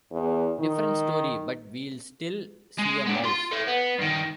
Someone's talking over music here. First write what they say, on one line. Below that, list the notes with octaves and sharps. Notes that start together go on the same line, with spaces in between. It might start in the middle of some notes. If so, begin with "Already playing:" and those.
Different story, but we'll still see a mouse.
E2
D#3
G#3
B3 D4
F4 C6
A4 C#5
B3
G2 D#3